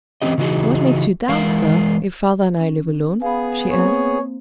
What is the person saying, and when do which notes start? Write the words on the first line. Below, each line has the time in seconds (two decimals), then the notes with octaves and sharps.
"What makes you doubt, sir, if father and I live alone?" she asked.
0.22 E3 G#3 C4 C#4 G4 D#5
0.38 C#3 E3 D#4 E4 F#4 G#4
1.29 E3 G#3 A#4 F5
2.60 C#4
3.22 B3 G#4 F5 B5
3.71 A#3 C4 C5 C#5